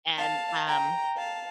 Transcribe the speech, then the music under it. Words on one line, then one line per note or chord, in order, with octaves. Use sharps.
And, um,
F5 A5
G5 A#5
F5 A5